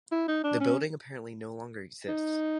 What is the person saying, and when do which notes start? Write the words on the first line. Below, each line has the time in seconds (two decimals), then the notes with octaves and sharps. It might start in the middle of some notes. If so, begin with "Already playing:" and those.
The building apparently no longer exists.
0.12 E4
0.28 D#4
0.44 D4
0.61 C#4
2.09 D#4